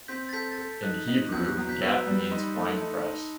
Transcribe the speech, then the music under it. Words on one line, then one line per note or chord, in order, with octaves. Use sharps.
In Hebrew, "gat" means "winepress".
C4 G6 B6
A6
A4 G6 B6
A6
A4 G6
D#4 F#6
D#4
E2 G6
F#6
F#3 D#6
G6 B6
B3 E6
G3 D#6
D#4 C6
B5
A3 C6
C6
D#4 A5
D#4 C6